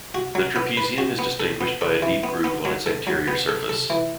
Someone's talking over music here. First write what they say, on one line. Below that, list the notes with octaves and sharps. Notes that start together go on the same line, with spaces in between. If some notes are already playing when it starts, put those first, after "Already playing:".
The trapezium is distinguished by a deep groove on its anterior surface.
F#4
F#3
B3
B4
F#4
B3
A4
B3
A4
E3
B3
B3
F#3
A4
F#3
B3
A4
A4
E3